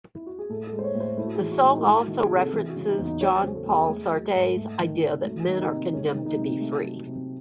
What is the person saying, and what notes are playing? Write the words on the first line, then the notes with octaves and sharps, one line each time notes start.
The song also references Jean-Paul Sartre's idea that men are "condemned to be free".
E4
F#4
G#4
A2 A4
A4
G#3
C5
C#5
A2
C5
A3 E4
F#4
G#4
E3
F#4
A2
D#4
A3 E4
F#4
D#3
G#4
C3
A4
E3 G#4
F#4
C#3
D#4
E2
D#4
F#3 C#5
C5
C#3
A4
E2
G#4
A3
F#3
G#2
A3
D#3
C3
A3 F#4
D#3
D#4
C3
G#3 C#4
D#4
D#3
D#4
C3
D#4
A3
F#3
C3